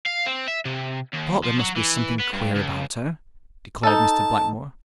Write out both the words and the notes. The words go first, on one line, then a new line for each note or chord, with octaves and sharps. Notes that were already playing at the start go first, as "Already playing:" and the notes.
"I thought there must be something queer about her," declared Mr. Blackmore.
F5
C4
E5
C3
D#2
F3
F#3
E3
B3
G2
C#2
D#4 A4 A5